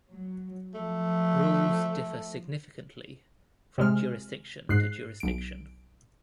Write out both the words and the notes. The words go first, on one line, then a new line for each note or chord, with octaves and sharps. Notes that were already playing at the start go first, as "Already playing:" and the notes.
Rules differ significantly from jurisdiction to jurisdiction.
F#3
F3 A3
C3 G#3 F6
G#2 F#6 C7
B1 D7